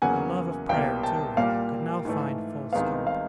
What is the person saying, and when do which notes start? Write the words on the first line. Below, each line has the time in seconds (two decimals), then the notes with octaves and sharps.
Her love of prayer, too, could now find full scope.
0.02 E2 C#3 F#3 A#3 F#5 G#5
0.69 C2 B2 G3 A#3 F5 G5
1.03 G5 A5
1.37 A#2 G3 A#3 F5
2.05 G#2 E3 A3
2.73 C2 C3 D#3 G#3 B3 F5
3.07 F5